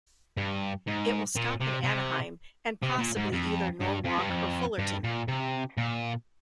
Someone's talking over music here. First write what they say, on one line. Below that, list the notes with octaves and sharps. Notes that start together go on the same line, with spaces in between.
It will stop in Anaheim and possibly either Norwalk or Fullerton.
G2
G#2
A#2
C3
C3
C3
A#2
G#2
F2
G2
F2
G2
F2
G2
A#2
C3
A#2